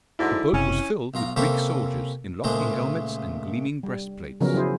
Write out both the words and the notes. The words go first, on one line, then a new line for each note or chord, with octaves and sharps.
The boat was filled with Greek soldiers in lofty helmets and gleaming breastplates.
G#2 D3 F#3 E4
F#1 C3 C#4
B1 F4 A#5
C3 A#3 C#4 A4 C5 B5
C#2 A#2 G#3 A3 C5
G3
C#3 F3 F#3 B3 C#4 A#4
F#3 E4 G#4 C5